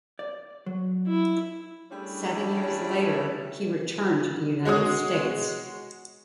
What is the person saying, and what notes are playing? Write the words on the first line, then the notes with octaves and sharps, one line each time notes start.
Seven years later he returned to the United States.
D5
F#3
E4
G3 A3 C#4 D4 E4 G#4
G#3 F#4 C#5 D#6